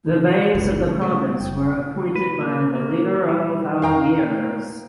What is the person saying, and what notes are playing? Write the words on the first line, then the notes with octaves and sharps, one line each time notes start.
The Beys of the province were appointed by the leader of Algiers.
C3
F#1 C2 D4 B4
C#3 A3 C#4
G3 G#3
F#1 G5
B4
A#3
A#3
G3
F5 G5 A#5